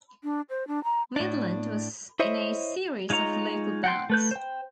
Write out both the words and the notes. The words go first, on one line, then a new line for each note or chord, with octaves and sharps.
Mydland was in a series of local bands.
D4
C5
D4
A#5
A2 D4
E4 C5 C#5 D#5 E5
G#3 D#4 F4 C#5 A#5
F#5 G5 C6
A3 B4 G6
C5 G5